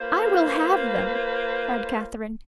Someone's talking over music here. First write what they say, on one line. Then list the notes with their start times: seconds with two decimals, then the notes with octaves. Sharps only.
"I will have them," cried Katharine.
0.01 A#3 F4 B4 C5